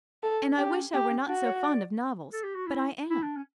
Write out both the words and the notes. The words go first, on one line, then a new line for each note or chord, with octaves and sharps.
And I wish I were not so fond of novels; but I am.
A4
C#4 G4
D4
C#4
B3 G4
C#4
D4 F#4
C#5
D5
A4
G4
F#4
E4
E4
D4
C#4